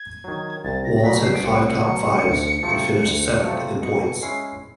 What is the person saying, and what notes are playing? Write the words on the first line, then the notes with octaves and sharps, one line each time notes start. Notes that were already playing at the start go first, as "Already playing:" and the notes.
Wallace had five top-fives and finished seventh in points.
Already playing: G#6
D#3 F#3
C2 A6
A#6
B2 F#3 B6
C7
D7
C2 C#7
B2 F#3
D2
C3 F3 A3
D2
C3 F3 A3
B2 C#7
C#7
G#3 C#4 E4 C7